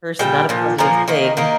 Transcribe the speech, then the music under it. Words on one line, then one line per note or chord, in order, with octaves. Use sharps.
person, not a positive thing.
A#2 G3 G5
A#2 F3
A#2 F3 A#3 A#5
D#3 A#3 D#4
D#3 A#3 D#4